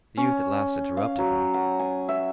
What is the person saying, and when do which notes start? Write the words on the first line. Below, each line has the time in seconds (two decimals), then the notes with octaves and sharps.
The youth at last interrupted them.
0.17 C#4
0.97 F5
1.18 F#3
1.54 F#5
1.79 G#5
2.09 E5